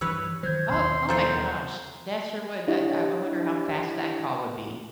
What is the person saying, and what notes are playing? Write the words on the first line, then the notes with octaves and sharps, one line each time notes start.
Oh Oh, my gosh, that sure would. That I I wonder how fast that call would be.
G2 E3 B4 C#5 E6
D#3 F#3 C5 G6 G#6
D#2 B2 C6
F3 A4 C#5 A#5 G6
D4 E4 G4 C#5 D#5